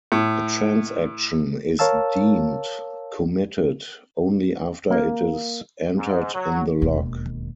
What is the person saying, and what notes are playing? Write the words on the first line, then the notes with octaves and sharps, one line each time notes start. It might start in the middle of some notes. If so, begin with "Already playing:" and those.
A transaction is deemed committed only after it is entered in the log.
A2
A#4 C#5 F5 A5 E6
A#3
G#2
F#3
E1 D#2